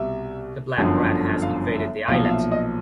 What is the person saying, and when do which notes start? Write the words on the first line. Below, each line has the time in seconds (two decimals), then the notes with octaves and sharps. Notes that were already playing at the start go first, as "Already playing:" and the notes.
The black rat has invaded the islet.
Already playing: C2 B2 G3 E5
0.77 G1 F#2 D3 F3
1.42 F5
1.75 E5
2.08 B1 A#2 F3 F5
2.25 F5
2.29 E5
2.52 D#5